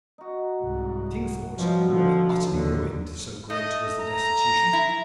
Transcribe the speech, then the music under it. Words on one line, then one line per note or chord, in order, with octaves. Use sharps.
The King thought he would be utterly ruined, so great was the destitution.
D#4 F#4
C2 G#2
B2 F3 G3 C#4
D3 F3
D#2 D3
A3 D#5
A#5
E4